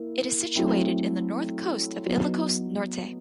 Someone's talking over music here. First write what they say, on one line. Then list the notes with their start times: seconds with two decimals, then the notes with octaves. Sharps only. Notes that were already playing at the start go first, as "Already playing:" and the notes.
It is situated in the north coast of Ilocos Norte.
Already playing: A#3 E4
0.56 F#3 A3 C4 E4
2.06 F#3 B3 D#4